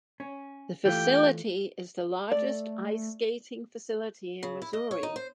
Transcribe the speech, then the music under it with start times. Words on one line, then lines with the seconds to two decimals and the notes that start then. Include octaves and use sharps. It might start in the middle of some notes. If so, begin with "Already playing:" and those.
The facility is the largest ice skating facility in Missouri.
0.20 C#4
0.85 E3 A3 F4 G4 G5
2.32 A3 D5
4.43 C#3
4.62 E4
4.73 D#5
4.91 C#5
5.03 D#4
5.16 C5